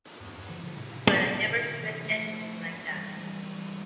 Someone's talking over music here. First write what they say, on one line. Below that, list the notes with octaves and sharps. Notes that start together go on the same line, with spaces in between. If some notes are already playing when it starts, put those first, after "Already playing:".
But I never said anything like that.
E2 G2
E2 G2
D3 F3
A#2 D3
A2 C3
A2 C3
A2 C3
A#2 D3
C3 E3
F3 A3
E3 G3
A3
E3 G3